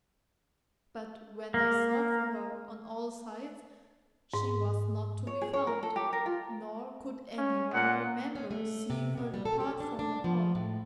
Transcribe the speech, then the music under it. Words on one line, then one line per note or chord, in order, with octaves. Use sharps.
But when they sought for her on all sides she was not to be found, nor could anyone remember seeing her depart from the Hall.
A#3
G#2
C#5
G#4
C#5
A#4
A4
G4
A#4
F4
C#4
A#2 F#5
C#4
A3
C3
B2
G3
A4
G4
D4
D4
F3
A2